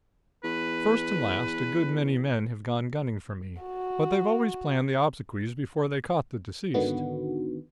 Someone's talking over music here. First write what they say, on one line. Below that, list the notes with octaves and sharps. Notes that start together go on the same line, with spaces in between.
First and last, a good many men have gone gunning for me, but they've always planned the obsequies before they caught the deceased.
E2 B4
F#4
G#1 D3 D#3 B3 F#4